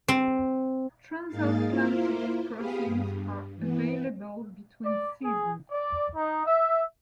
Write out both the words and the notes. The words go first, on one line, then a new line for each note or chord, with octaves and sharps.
Transatlantic crossings are available between seasons.
C4
G#2 A#3 D#4 G#4 F5 A6
A#3 E4 F4 A#4 C5
B3 G4 G#4 F5 B5 D#6
G2
E3 B3
D5
G#4
D5
D#4
E5